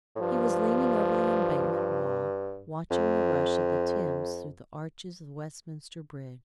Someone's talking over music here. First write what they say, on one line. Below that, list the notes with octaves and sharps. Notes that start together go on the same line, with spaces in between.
He was leaning over the Embankment wall, watching the rush of the Thames through the arches of Westminster Bridge.
A2
G2 F3
F2